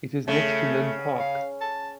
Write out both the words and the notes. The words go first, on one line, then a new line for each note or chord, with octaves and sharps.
It is next to Linn Park.
C#3 A3
F5
A5